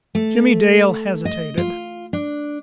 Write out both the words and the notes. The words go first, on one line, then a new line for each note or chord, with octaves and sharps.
Jimmie Dale hesitated.
A3
D#5
F4
D4